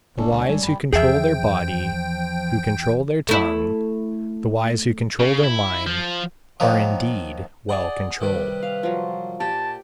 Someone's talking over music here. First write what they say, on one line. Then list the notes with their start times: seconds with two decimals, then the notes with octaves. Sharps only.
The wise who control their body, who control their tongue, the wise who control their mind, are indeed well controlled.
0.18 F#1 A#3 C#4 D4 A4
0.32 C#2
0.49 G#1 G3 G#3 D5 G#5
0.63 F#1 G2 G5 B5
0.93 E2 F3 G#4 E5 G5
3.29 A3 E4
5.20 C#3
5.43 E4
5.87 F3
6.60 D#3 F3 F#3 A#3
7.69 G#4 D5 D#5 F#5
8.21 C3 D#3 G3 B4
8.63 F5
8.83 F3 F#3
9.40 A#2 G4 A5